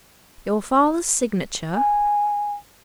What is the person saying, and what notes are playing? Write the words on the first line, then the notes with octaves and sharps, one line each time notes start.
"Your father's signature?"
G#5